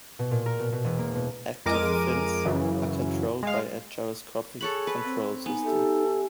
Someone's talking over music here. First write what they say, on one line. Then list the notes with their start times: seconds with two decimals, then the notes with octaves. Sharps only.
"Active fins" are controlled by a gyroscopic control system.
0.19 B2
0.31 A#2
0.46 A#4
0.59 B2
0.72 B2
0.84 E1
0.99 A#3
1.15 B2
1.66 F2 G#3 A#4 D6 D#7
2.45 F#2 C#3 E3
3.43 G#3 F5
4.61 G#4 A4 C#5 B5 F#6
4.87 B4
5.04 C4
5.46 B3 D#4 G#5
5.64 G4 A4 E5 G#5